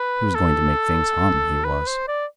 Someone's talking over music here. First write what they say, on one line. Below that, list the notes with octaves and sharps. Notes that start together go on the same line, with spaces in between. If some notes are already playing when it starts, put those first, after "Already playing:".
He was going to make things hum, he was.
Already playing: B4
A4
B4
C5
D5